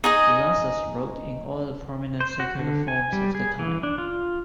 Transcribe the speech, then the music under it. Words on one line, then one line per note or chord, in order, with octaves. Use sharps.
Lassus wrote in all the prominent secular forms of the time.
D#4 G#4 D#5
C5
F#4
D3
G#5
G3
G#4
E3
D4
F4